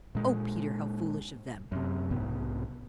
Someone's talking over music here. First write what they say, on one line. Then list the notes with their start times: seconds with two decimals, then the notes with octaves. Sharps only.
"Oh, Peter, how foolish of them!"
0.15 A#2 G#3
1.72 F#2 C3
2.11 B1 G#2 C3 B3